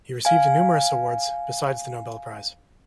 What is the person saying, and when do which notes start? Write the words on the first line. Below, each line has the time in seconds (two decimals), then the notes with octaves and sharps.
He received numerous awards besides the Nobel Prize.
0.25 F5 G#5